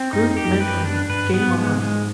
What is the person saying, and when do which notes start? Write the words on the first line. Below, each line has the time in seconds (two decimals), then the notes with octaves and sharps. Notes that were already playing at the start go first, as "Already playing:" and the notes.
Group Mentoring, Game on!
Already playing: C4
0.13 G2 D#4
0.23 F#2
0.33 F2 G4
0.44 F#2
0.60 B4
0.85 D4
1.09 G2 B4
1.34 G#2 B3
1.58 G#3
1.82 G#3